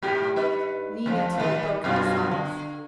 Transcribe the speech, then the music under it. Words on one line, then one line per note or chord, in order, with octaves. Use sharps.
Nina, too, broke into sobs.
G#2 G4
G2 D#4 B4
E2 F3
A2 D#3 G3
F#2 B2 F4
D3